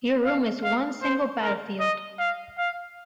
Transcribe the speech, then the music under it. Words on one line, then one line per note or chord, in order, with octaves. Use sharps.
Your room is one single battlefield.
F5
F5
C5
A#4
D#5
F5
F5